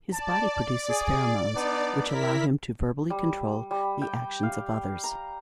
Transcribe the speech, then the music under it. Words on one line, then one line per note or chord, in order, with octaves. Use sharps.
His body produces pheromones which allow him to verbally control the actions of others.
D5 A5
G#4
B3 D4 D#4
E4 A#4 B6
G3
G3
G5
F5
A#5